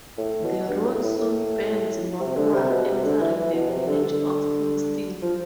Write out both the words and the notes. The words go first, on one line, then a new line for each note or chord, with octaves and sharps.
The route soon bends northward entering the village of Kingston.
A2
B2
G2
A2
A2
A2
C3
D3
C3
B2
C3
D3
E3
E3
B2
C3
D3
D3
F3